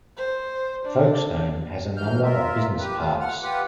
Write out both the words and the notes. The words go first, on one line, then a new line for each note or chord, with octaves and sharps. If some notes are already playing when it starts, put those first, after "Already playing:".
Folkestone has a number of Business Parks.
C5
D4
D#2 E3 F6 G6
F4 A#4 E5
G4 B4
A3 F4
F#5 F6
F4 G4 B4 F#5